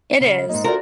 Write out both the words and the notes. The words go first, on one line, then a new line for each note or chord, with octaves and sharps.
it is.
C#3 G3
G#2 A#3 D#4
D2 F4 F#4 A#4 D5